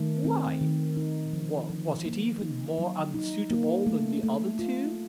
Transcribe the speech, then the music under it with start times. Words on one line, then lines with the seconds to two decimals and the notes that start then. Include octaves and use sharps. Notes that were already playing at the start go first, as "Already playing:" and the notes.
"Why, was it even more unsuitable than the other two?"
Already playing: D#3 A3
0.24 C4
0.61 D#3
0.97 D#4
1.33 F3
1.70 F3
2.06 A#3
2.42 D#4
2.78 F#3
3.14 D#4
3.50 A#3
3.87 A3
4.23 A3
4.59 F4